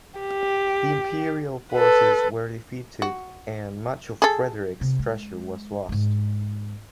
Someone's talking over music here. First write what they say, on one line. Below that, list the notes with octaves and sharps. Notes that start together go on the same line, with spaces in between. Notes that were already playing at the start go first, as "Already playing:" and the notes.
The Imperial forces were defeated and much of Frederick's treasure was lost.
G4
A4 B4
F#4
G#4 A4
C3
G#3
G#2 G#3